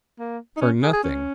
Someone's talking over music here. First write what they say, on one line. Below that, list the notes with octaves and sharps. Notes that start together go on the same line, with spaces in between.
For nothing!
A#3
D#4
C#4
G#4
G#4
C#4